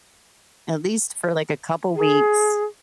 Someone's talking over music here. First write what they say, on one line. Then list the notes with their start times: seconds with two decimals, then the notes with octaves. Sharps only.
at least for like a couple weeks,
1.96 G#4